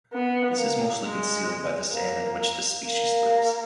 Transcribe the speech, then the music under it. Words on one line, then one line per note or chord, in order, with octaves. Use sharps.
This is mostly concealed by the sand in which this species lives.
B3
A#3
G#3
A#3
A#3